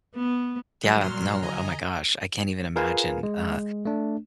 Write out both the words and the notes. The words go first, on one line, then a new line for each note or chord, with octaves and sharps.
Yeah, no, oh my gosh, I can't even imagine, uh,
B3
D#3 F#3 G3
A#2 C6 F6
D3 D#5 G#5 A#5
F4 G#4 A#4 B4 F5 G#5
G#3
A3 D4